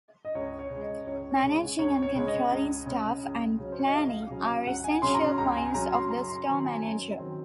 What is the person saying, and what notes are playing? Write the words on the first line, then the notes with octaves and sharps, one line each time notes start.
Managing and controlling staff, and planning are essential points of the store manager.
D#5
C#2 C#5
C#5
C#3
G#3
D#5
C#2 C#5
C#5
C#3 G#3
C#2 C#5
C#5
C#3 G#3
D#5
C#2
C#3 G#3
C#2
C#3 F#3 C#4
C5
C#5
D#5
C#2 F5
C#3 F#3 C#4
C#2 F#5
G#5
C#3 F#3 C#4 C6
A#5
C6
C#2 A#5
G#5
C#3 F#3 C#4 A#5
C6
F#2 A#5
C6
D#3 F#3 C4 A#5
G#5
F#2
D#3 F#3 C4